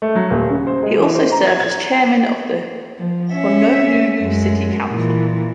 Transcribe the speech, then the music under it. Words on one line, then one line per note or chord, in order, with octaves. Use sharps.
He also served as chairman of the Honolulu City Council.
A3
F#3
D#1
C#3
C5
G#3
E3
C5
A#5
G#6
G#6
F3
C#4 E5
F#2 G#3
A#2 E3